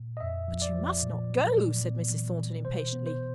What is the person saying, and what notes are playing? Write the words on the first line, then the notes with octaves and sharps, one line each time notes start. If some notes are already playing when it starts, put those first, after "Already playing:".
'But you must not go,' said Mrs. Thornton, impatiently.
Already playing: A#2
D#5
F2 E5
F3
D5
F3
A#2
F#3
A#2
B3
E3
E3
B2 C5
B3
C5